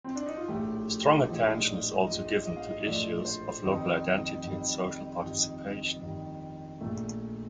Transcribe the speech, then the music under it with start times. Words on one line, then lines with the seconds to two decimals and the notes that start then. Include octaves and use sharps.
Strong attention is also given to issues of local identity and social participation.
0.04 C4
0.16 D4
0.26 D#4
0.37 F4
0.48 A#1 A2 F3 A3 G4
1.00 G4
1.27 A#1 A2 F3 A3 D#4
1.66 D5
2.06 A#1 A2 F3 A3 D#5
2.46 D#5
2.56 F5
2.67 D#5
2.85 A#1 A2 F3 A3 D5
3.25 C5
3.64 F2 D#3 G3 D#4
4.43 F2 D#3 G3
5.22 F2 D#3 G3 D#4
6.02 F2 D#3 G3
6.81 A#1 A#2 A3